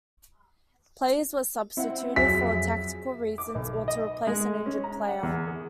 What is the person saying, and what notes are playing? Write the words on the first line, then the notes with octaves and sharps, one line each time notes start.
Players were substituted for tactical reasons or to replace an injured player.
C4 E4 F#5
F2 F#3 G#4 E5 B6
D6
B1
D#5
G#3
C#4
A#5
F#5
E2
G#4